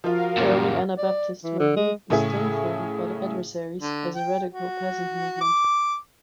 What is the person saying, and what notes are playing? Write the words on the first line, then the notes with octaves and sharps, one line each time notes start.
Early Anabaptists were viewed disdainfully by their adversaries as a radical peasant movement.
F3 F4 F#4 A#4 F5
F#2 A#2
D5
E3
D3
G#3
A2 C#3 A3 E4 G#4
D3
G5
F#4
D6